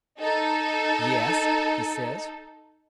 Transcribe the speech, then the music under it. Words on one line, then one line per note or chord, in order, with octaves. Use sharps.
"Yes," he says.
D#4 A4